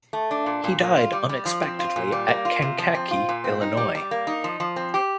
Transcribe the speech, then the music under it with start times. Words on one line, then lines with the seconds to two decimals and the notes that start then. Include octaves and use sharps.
He died unexpectedly at Kankakee, Illinois.
0.13 A3
0.31 D4
0.46 A#2
0.64 A#2
0.80 A#3
0.97 F4
1.12 G3
1.29 G3
1.45 F3
1.62 C4
1.79 F4
1.96 A#2
2.12 G3
2.28 A#3
2.45 F4
2.62 C3
2.78 F3
2.95 C4
3.11 F4
3.29 A#2
3.44 C4
3.61 D#4
3.77 G3
3.95 G3
4.11 A#3
4.27 D#4
4.44 F3
4.60 F3
4.76 C4
4.94 G4